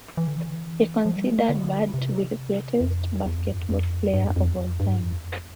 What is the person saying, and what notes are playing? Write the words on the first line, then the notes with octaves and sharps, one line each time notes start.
He considered Bird to be the greatest basketball player of all time.
E3
D3
E3
F3
G3
A3
A3
D3
C3
F2
E2
F2
G2
F2
F2
G2
F2
F2
E2
F2
G2
F2
E2
F2